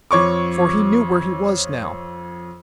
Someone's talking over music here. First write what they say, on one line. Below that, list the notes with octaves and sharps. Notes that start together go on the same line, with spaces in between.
For he knew where he was now.
F2 C#5 C#6 D6